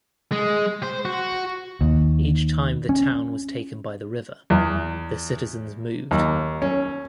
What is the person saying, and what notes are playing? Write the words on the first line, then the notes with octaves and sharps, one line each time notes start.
Each time the town was taken by the river, the citizens moved.
G#3
C5
F#4
D#2
C#4
E2
D#2
C#4